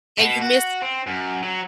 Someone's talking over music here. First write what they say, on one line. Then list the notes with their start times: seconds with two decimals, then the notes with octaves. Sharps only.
and you miss
0.18 B2
0.41 F#4
0.82 C4
1.07 F#2
1.43 F#3